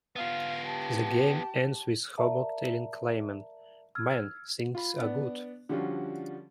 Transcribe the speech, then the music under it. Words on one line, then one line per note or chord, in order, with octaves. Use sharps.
The game ends with Hoborg telling Klaymen "Man, things are good".
B3 F4 F5
G4 A5
A#4 D5 E5 A5 A#5
E6 F6 G#6
F4 B5
B3 D4 D5
D3 F3 G3 C#4 F4 F#4